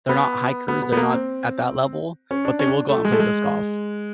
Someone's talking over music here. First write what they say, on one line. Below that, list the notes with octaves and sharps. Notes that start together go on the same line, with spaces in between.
they're not hikers, they're not at that level, but they will go out and play disc golf.
B3
B3
B3
B3
A#3
C4
C#4
D4
C#4
D4
A3
G#3
A3
G#3